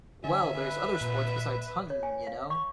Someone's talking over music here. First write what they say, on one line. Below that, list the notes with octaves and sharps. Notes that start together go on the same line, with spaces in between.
Well, there's other sports besides huntin', ya know!
D3 E5 G#5
B4
A#2
C#5
G#5
F5
C#6